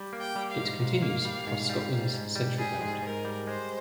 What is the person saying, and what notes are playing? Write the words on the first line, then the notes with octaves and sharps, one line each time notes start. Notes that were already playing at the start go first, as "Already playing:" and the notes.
It continues across Scotland's Central Belt.
Already playing: G3
A#3
G5
G3
F5
G#2
G#2 F5
A#3
G3
G#2
G3
G#2
G#2
G3
G3 G#4
G#2
G#2 A#4
G3
G#3 C5